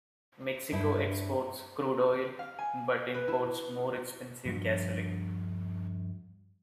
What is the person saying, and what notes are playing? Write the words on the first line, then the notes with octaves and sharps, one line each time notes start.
Mexico exports crude oil, but imports more expensive gasoline.
G2 E4
F5
G#5
B4
E4
G2 F3 D4